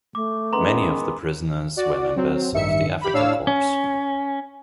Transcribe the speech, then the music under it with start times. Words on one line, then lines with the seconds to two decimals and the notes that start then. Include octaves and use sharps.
Many of the prisoners were members of the Afrika Korps.
0.15 A3 D6
0.53 D#3 G#3 B3 C#4 B4 A#5 C6
1.76 F#4 D5
2.16 F#3 C4
2.52 A1 G2 D#3 E5 C#7
3.01 G4 B5
3.13 A2 D4 C#5 F5 E6
3.47 C#4